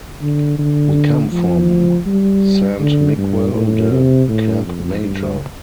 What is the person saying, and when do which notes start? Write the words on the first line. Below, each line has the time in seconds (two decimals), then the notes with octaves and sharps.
We come from Sant Miquel de Campmajor.
0.21 D3
0.59 D3
1.32 F3
2.06 G3
2.80 D3
3.17 G2
3.54 A2
3.91 C3
4.29 A2
4.65 F2
5.02 G2